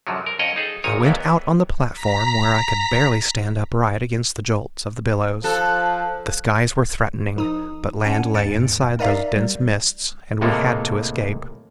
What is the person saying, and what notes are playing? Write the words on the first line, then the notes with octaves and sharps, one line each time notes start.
I went out on the platform, where I could barely stand upright against the jolts of the billows. The skies were threatening, but land lay inside those dense mists, and we had to escape.
C2 F#2 D3 F3 F#3
A#4
F2 C#4 C#5 D#5 F#5 G5
D#4 G#4 A4
G#1 A#2 D#3 C#5 G#5 A#5
D#2 A2 E3 A#3 B3
A#5 B6
F3 A4 F#6
A#1 D#4 D#6
C#4 D4 F#5 G#5
D#2 G#2 A6 C#7 D7
F2
D#4 A#4 D5 E5 F5 A#5
G3
A2 C3 G#3 A#3 A4 C#5